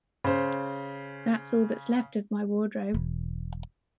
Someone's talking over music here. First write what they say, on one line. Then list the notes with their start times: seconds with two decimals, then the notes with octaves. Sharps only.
That’s all that’s left of my wardrobe.
0.24 C#3 C5
2.94 E1